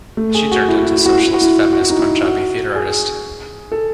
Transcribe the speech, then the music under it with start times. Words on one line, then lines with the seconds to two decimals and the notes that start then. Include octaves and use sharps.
She turned into socialist feminist Punjabi theatre artist.
0.17 A3
0.35 G#4
0.52 F#4
0.68 E4
0.76 F#4
0.83 E4
0.91 F#4
0.98 E4
1.06 F#4
1.12 E4
1.19 F#4
1.27 E4
1.34 F#4
1.42 E4
1.73 F#4
1.81 E4
1.90 D#4
1.99 E4
2.24 F#4
2.76 G#4
3.72 A4